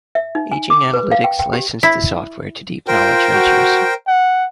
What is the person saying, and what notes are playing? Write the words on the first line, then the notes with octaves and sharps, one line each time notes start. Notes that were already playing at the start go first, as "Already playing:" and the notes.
Aging Analytics licensed the software to Deep Knowledge Ventures.
E5
D#4
G#5
D6
B4
F5
G5
G5
G4
E4
F4 A#4 C5 G5
F#4
F#5